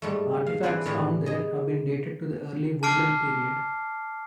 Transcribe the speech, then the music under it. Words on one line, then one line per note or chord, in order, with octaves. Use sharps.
Artifacts found there have been dated to the early Woodland period.
G#2 G3 A3
F5
E3 C4 D4 B4 C5
A2 E3 G3
G#4 D#5
A5 D6 F6 C7 D7